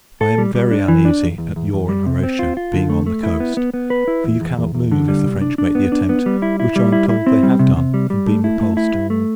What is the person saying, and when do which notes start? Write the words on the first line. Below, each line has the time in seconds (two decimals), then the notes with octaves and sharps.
I am very uneasy at your and Horatia being on the coast: for you cannot move, if the French make the attempt; which, I am told, they have done, and been repulsed.
0.21 A4
0.38 G3
0.55 G3
0.71 D4
0.88 E3
1.05 D4
1.22 E2
1.38 E2
1.56 E2
1.73 E2
1.89 G3
2.06 C3
2.23 C4
2.39 F4
2.57 F4
2.73 D3
2.90 A3
3.06 A3
3.23 E4
3.40 B3
3.57 B3
3.74 B3
3.90 B4
4.08 E4
4.24 E2
4.41 E2
4.58 E2
4.75 E2
4.91 D3
5.08 G3
5.25 C2
5.41 D4
5.58 D4
5.75 B3
5.92 D4
6.09 B3
6.26 G3
6.42 E4
6.60 E4
6.76 G3
6.92 E4
7.09 E4
7.26 C4
7.43 G3
7.59 C3
7.77 C3
7.94 G3
8.10 G3
8.27 A3
8.44 E4
8.61 A3
8.77 E4
8.94 G2
9.10 A3